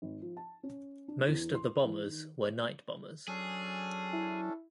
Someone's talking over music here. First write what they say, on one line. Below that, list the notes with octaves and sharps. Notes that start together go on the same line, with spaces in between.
Most of the bombers were night bombers.
G#1
F3
A5
C#4
D4
E2
C6
E3
D#3
F#3 C#4 D4 G#4 A4
E4